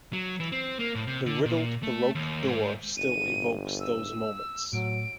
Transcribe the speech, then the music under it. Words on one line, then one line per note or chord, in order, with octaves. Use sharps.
The riddled Baroque door still evokes those moments.
F#3
E3
C4
A#3
A2
C3
D3
A#2
A3
D#2
G#2
G1 D#7
E6
A2 F#3 D7